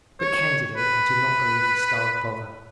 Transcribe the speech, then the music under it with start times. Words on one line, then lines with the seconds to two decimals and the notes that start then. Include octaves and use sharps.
But, candidly, I do not believe the stars bother.
0.20 C#5
0.77 B4